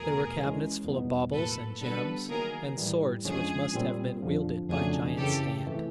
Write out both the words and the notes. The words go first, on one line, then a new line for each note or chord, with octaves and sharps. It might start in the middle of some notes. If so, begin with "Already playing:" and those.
There were cabinets full of baubles and gems, and swords which must have been wielded by giant's hand.
Already playing: E2 B2 F#3 A3 G#4 A#4
E3 G#3 C#4
E2 B2 G3 B3 D#4
A2 F#3 A#3 A4 B4
D3 G3 B3 A4 B4
D#3 F#3 A#3 G#4 A#4
A2 E3 G3
F2 D3 F3 G#3 C#4 G#4
A#2 G3 C4
F2 D3 F3
F2 C#3 F#3 A3 D4 G#4
F#2 C#3 E3 G4 A4
C3 E3 A3